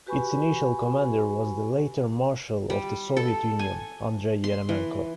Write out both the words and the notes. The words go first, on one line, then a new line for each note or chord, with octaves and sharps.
Its initial commander was the later Marshal of the Soviet Union, Andrei Yeremenko.
F#4 G4 B4 G#5 B5 C#6
G3
A4
G#5
C6
E3